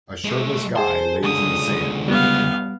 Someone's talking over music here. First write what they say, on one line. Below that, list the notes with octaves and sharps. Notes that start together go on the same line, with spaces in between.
A shirtless guy lays in the sand with a cow.
G#3 A3
G#4 C5 G#5 A5 C6
C#2 D3 D#6
G3 B3 F5